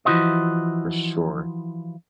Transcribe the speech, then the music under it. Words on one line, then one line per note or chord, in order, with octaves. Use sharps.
For sure.
E3 F3 E4 F#4 C5 D#5